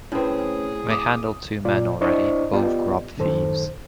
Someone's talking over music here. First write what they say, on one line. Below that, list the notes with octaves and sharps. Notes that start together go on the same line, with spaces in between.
They handled two men already, both grub-thieves.
A2 C4 C#4 G#4 B4
D6 D#6
A#2 F4 D5
D4 E4 C5 D5 D#5 C#6
B3 F4 G4 D5 D#5
F#2 A2 D#3 A4 C5